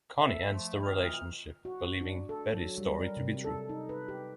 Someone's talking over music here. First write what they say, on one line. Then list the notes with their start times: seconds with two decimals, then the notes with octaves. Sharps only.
Connie ends the relationship, believing Betty's story to be true.
0.17 A4 E5
0.52 F3 A3
0.83 D2 A#2 D#3 C4 D#5 F6
1.65 F#4
2.01 D4
2.29 A4
2.54 F#3
2.78 G3
3.01 A#4
3.17 C3
3.44 A4
3.69 D#4
3.89 B4
4.08 G4